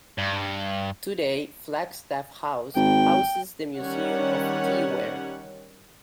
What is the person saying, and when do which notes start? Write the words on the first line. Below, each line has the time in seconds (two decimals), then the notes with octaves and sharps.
Today Flagstaff House houses the Museum of Tea Ware.
0.18 G2
2.75 G#1 G5
3.77 D#3 G3 C#4 C#5 F#5